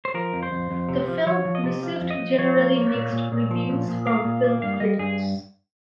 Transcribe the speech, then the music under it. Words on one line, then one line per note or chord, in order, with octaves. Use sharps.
The film received generally mixed reviews from film critics.
C5
F3 A#4
F2
C5
F2
F2
C3
F3
F3 C#5
F3
D#5
C3
F3
F2
D#5
F3
F3 C#5
A#3
A#3
A#2
A#2
A#2
F3
A#2
A#2
A#3 F5
A#2
A#3
G2 F5
G3 D#5
G2 G#4